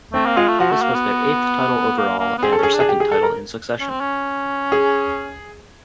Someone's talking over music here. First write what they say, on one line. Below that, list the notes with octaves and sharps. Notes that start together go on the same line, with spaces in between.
This was their eighth title overall and their second title in succession.
A3 C4
A#3
G#3 F4
A3
F3 F#4
A3
A#3
B3
A#3
A#3
B3
C4 G#4
A4
C#4
G#4
D4
G#4
G4
G#4
A4
A#4
C#4
C4
C#4
G#4